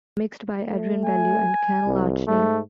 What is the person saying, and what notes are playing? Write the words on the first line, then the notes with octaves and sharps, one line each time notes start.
Mixed by Adrian Belew and Ken Latchney.
A3
G#5
C2
G#2 A3